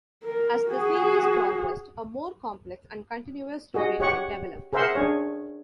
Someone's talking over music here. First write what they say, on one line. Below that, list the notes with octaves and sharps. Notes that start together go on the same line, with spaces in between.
As the series progressed, a more complex and continuous storyline developed.
A#4
F#4 G#4
F#4 G#4 D#5
G4 C#5 F#5 C#6
G#4 A#4 C5 E5 F#5 C6
D4 G#4 C#5